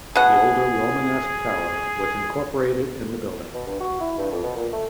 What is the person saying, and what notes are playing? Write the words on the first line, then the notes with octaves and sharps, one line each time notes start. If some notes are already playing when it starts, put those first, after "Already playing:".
The older Romanesque Tower was incorporated in the building.
B2 G#4 F#5
B2
G2
F#4
E4
G2
F2
B2
A#2
A3